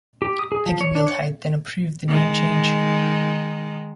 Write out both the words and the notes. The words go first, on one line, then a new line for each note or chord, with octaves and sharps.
Peggy Wilhide then approved the name change.
G4
D#6
G#4
F3
C#5
D4
C#5
D#3 G#3